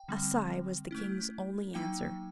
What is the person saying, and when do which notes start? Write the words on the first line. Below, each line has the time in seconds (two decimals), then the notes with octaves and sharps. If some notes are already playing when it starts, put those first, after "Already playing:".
A sigh was the king's only answer.
Already playing: G5
0.08 D3 G3 C4
0.91 A3 C#4 E4
1.74 F#3 A#3 D#4 G5